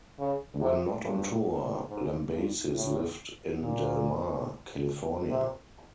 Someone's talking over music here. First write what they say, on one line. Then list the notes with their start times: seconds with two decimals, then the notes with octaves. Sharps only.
When not on tour, Lambesis lived in Del Mar, California.
0.19 C#3
0.61 C3
1.04 G2
1.89 G#2
2.33 G2
2.74 A2
3.60 A#2
5.30 C3